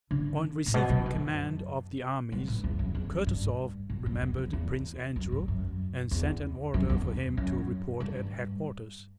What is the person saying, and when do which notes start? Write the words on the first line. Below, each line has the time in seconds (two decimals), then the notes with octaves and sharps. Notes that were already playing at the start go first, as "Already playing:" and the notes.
On receiving command of the armies Kutuzov remembered Prince Andrew and sent an order for him to report at headquarters.
0.11 D3
0.66 A2
0.74 B2
0.89 B2
1.06 F#2
2.32 G2
2.48 A2
2.64 E2
2.79 F#2
2.95 E2
3.11 F#2
3.27 G2
3.90 G2
4.06 F#2
4.21 E2
4.38 E2
4.53 E2
5.16 F#2
5.32 G2
5.48 F#2
6.11 E2
6.74 F#2
6.90 E2
7.37 F#2
8.00 G2